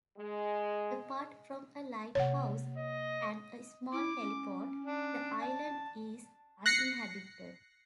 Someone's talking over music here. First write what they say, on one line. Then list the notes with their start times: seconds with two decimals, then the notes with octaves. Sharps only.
Apart from a lighthouse and a small heliport, the island is uninhabited.
0.17 G#3
2.15 C3 A#3 C#5 F#5
2.78 D#5
3.92 E4 D6
4.21 C#4
4.84 D4
5.41 A5
6.66 F#6 A#6 C7 C#7